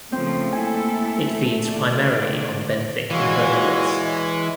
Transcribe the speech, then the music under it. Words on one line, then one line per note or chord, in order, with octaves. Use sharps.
It feeds primarily on benthic invertebrates.
C#3 F3 A3 C4
A#3 E4 A4 G#5
D3 D#3 D5
A#2 E3 G#3 F#4 C#5 D#5 F5 G#5